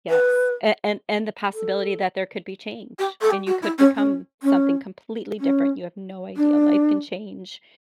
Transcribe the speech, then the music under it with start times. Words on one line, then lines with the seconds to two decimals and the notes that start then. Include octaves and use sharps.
Yes, a an and the possibility that there could be change, and you could become something completely different. You have no idea, life can change
0.09 B4
1.53 A4
2.99 G4
3.21 A4
3.30 G4
3.46 F#4
3.62 E4
3.78 C#4
3.95 C#4
4.42 C#4
5.40 C#4
6.36 D4